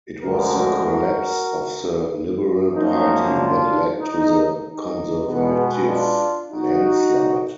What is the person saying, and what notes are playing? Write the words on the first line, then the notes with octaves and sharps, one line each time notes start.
It was the collapse of the Liberal Party that led to the Conservative landslide.
D2 D3 F3 G#3 F#4 A#4
F#2 F3 A#3 D#4
D4 F4
D#4
D#4
B2 G#3 B3
D4 F4
D#4 F#4